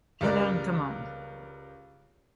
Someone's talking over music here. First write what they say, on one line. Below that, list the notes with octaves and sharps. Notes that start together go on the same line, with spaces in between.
Eller in command.
C#2 G3 A#4 D5 F#6